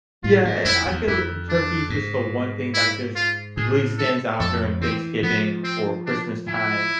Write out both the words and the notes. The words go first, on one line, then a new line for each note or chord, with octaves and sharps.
Yeah, I I feel turkey’s just the one thing that just really stands out during Thanksgiving or Christmas time
A2 F4
G#2
F2 E4
E2
F2 E4
D4
G#2
E4
F4
A2 G#4
A4
F2 A4
E3 C4
F3 B3
C4
D4
E4